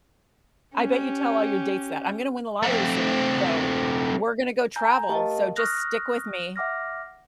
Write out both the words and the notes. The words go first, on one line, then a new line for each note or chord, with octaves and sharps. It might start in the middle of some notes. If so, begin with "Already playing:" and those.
I bet you tell all your dates that. "I'm gonna win the lottery soon, so we're gonna go travel, so just stick with me,
C#4 G4
A3 C4
G#5 A#5 G6
A3 G4 A#4 D#5 F5 A5
C#6 D#6 F6 F#6 A#6
E5 F#5 D6 F6 A#6